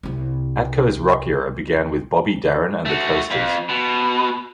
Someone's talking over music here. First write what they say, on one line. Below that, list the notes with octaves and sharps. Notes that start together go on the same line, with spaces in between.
Atco's rock era began with Bobby Darin and The Coasters.
C2 C4
A3 F#4
F2
B2